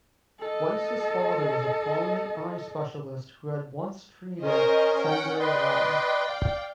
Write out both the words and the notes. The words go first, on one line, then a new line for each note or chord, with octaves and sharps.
Weiss's father was a prominent eye specialist who had once treated Senator Long.
A4 D#5
C#4 A#4 C5 D#5
F#5 G5
B4 D5 D#5 G5 C6
F5